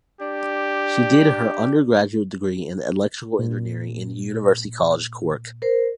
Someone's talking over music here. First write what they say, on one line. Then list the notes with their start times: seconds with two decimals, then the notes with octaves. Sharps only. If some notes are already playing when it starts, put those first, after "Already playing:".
She did her undergraduate degree in electrical engineering in University College Cork.
0.21 D4 G4
3.39 A#2
5.62 A#4 C5